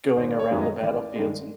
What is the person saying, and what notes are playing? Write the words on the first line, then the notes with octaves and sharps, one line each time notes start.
going around the battlefields, and
G#1 C5
D5
C#5
F#2 D#3 G#3 B3
D#5
A1 D5
G2 D#3 G#3